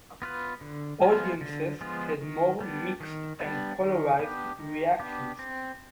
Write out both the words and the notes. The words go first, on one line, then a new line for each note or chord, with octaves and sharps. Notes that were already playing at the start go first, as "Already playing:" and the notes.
Audiences had more mixed and polarised reactions.
B3 F4 B4
D3
F3 G#3 B3 F4
D3
F3 G#3 B3 F4
D#3
G3 B3 D4
D#3
G3 B3 D4
D#3
B3 D4 G4
D#3
B3 D4 G4
C4